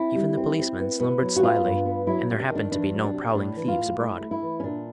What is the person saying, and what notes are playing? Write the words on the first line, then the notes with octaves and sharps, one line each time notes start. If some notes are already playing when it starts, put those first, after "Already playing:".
Even the policemen slumbered slyly and there happened to be no prowling thieves abroad.
Already playing: C4 E4
G3
C4
C4
B3
B3
F#3
F#4
B3 F4
G2
B3
F#3 E4
C3
D4
D#3 D4
E2 D4
F#3
D4
C3
A2 D4
E3
F4
A2
A3 E4
A3
E4
E3
C#4
A#2 D4